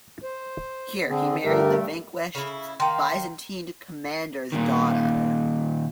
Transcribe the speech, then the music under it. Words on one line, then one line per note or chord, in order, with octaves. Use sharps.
Here he married the vanquished Byzantine commander's daughter.
C5
D3 C4 G#4
G2 D3 A3 G4 A#4
C#3 E4
D#3 A#3 G5 A#5 C6
A#2 D#3